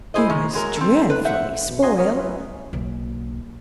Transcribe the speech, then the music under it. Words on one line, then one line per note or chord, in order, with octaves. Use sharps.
She was dreadfully spoiled.
E4 G#4 C5 D#5
D#3 G#3
F#3 G#3 A#4
C4 A4
B4
C5 E5 F#5
B2
F#4 D#5 G#5 A#5 C6
A#4 C#5 D#6
F#3 C#4 E4 B4
B1 A#3